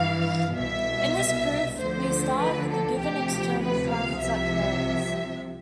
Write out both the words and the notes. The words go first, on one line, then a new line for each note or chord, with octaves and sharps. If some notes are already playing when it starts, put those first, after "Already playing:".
In this proof, we start with given external currents at the nodes.
Already playing: G2 E3 F5
C2 B2 E5
D2 D3 F3 C5
B4
A4
D2 C3 F3 G4
B4
F5
C2 C3 F3 E5